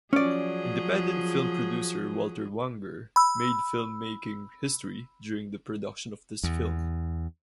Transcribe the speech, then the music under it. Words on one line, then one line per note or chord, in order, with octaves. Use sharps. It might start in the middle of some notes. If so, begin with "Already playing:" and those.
Independent film producer Walter Wanger made film-making history during the production of this film.
F3 F#3 C#4 G#4 D5
B5 E6
E2